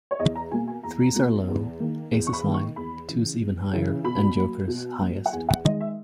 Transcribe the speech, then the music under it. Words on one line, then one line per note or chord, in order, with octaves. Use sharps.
Threes are low, Aces high, Twos even higher and Jokers highest.
C#5
E2 D#5
A#5
B2 A#3 G#5
G#5
E2 A#5
B2 A#3
E2
D#3 A#3
E2
C#6
B5
D#3 A#3
C#6
E2 B5
C#3 E3
E2
C#3 E3
B2 B5
F#3 A#3
B2
F#3 A#3
F#5
E2 G#5
F#5
D#3 G#3 D#5
E5